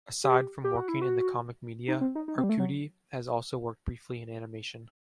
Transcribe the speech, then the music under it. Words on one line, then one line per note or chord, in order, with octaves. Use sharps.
Aside from working in the comic media, Arcudi has also worked briefly in animation.
G4
G4
F#4
E4
F#4
D#4
C4
D#4
D#4
C4
G3
A3
F#3